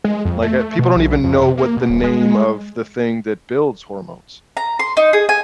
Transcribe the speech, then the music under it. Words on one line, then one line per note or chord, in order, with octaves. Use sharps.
Like, uh, people don't even know what the name of the thing that builds hormones.
G#3
F2
A3
B2
B1
F2
C3
A#3
B2
D#1
G#3
A#5
C6
D#4
G#4
G#5